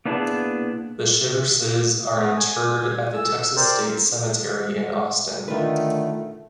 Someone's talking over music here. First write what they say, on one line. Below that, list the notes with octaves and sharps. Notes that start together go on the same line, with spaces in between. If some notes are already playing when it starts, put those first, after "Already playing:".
The Shiverses are interred at the Texas State Cemetery in Austin.
A#3 B3 D4 E4 G#4 A5
A3 B3
G#5
A4 E6
C4 A#4 C5 D5
D3 D#3 A3 F4 B4